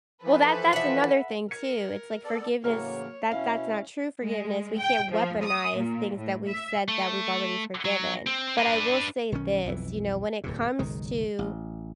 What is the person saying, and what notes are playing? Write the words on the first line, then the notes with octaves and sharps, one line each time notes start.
Well, that that's another thing too, it's like forgiveness, that that's not true forgiveness, we can't weaponize things that we've said that we've already forgiven. But I will say this, you know, when it comes to
E3 F3 A4 B4
E5 F#5
A#4 G#6 C#7
B3 A4 D5
A2 C#3 E3 F#3 A#3 A#4 C#5 F6
B2 C#4 E4 F5
G#3
G5
F3
D#6
A#2
A2
E5
A3
F#3
C4
D4 B4
B1 D#3 E3 C#4
B1 F2 E3
D1 E2 C3
F#1 B1 D#3 G#3
A1